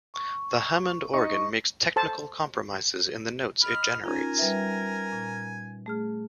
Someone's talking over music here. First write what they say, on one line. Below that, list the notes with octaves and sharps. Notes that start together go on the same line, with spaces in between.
The Hammond organ makes technical compromises in the notes it generates.
C#6
D#4 C#6
A4 C5 A5
D#5 B5 F6
C#4 D#4 F4 A#4 G#5
G3 B4 E5
A#2
A3 G#4 F6